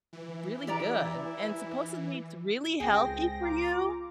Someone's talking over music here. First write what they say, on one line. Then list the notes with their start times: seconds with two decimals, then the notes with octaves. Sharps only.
really good and supposedly it's really healthy for you.
0.13 E3
0.67 E4 G4 D5 A#5
2.80 C#2 C4 G#4 G5 A#6
3.41 F4 A#5 D6